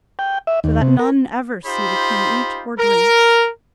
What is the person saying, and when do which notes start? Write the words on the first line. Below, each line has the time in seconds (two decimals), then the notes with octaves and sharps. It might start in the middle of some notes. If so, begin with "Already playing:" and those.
So that none ever see the king eat or drink.
0.19 G5
0.47 E5
0.64 D#2
0.82 C3
0.99 A#4
1.66 D#4 F4 G4 C5 B5
2.78 A#4